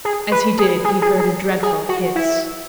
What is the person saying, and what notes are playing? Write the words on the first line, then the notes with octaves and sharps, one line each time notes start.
As he did he heard a dreadful hiss.
G#4
B4
G#4
G#4
G#4
G#4
G#4
F#4
E4